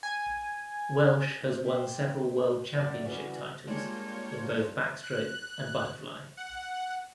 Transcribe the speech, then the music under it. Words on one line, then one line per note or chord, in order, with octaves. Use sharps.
Welsh has won several world championship titles in both backstroke and butterfly.
G#5
G4 C5
F#2 D5 E5
C#3 E3 G3 F#4
G3 G#3 A#3 D4 F4 C#5 G6
F#6
F#5